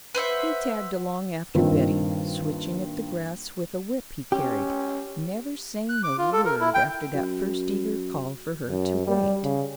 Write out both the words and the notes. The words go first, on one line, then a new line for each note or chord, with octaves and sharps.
He tagged along after Betty, switching at the grass with a whip he carried, never saying a word after that first eager call for her to wait.
B4 C5 E5 F#5
G2 A#2 D#3 C4 F4
C#4 G4
F#6
D6
F4
A4
A#4
E4
G5
F#2
F#2
G3
C#3